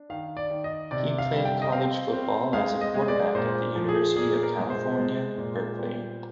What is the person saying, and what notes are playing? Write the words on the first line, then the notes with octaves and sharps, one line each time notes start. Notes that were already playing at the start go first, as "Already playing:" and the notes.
He played college football as a quarterback at the University of California, Berkeley.
Already playing: D4
D#3 F5
D5
D#3
D#5
C3 D5
F5
G3
G5
D#5
C4 F5
C4
G#3 F5
D#5
G#3
D5
A#2 C5
F3
G#4
A#2 G#4
A#4
G#3
C5
G#3
A#2
G3